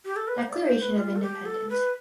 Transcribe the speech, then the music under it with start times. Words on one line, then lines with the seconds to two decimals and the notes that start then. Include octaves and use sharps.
Declaration of Independence.
0.05 G4
0.16 A4
0.28 B4
0.39 C5
0.50 D5
0.66 C5
0.82 B4
0.97 F4
1.16 A4
1.22 G4
1.46 A4
1.69 B4